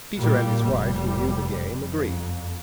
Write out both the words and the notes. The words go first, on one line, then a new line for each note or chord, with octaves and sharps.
Peter and his wife, who knew the game, agreed.
A#2 G3
F1 G3
F2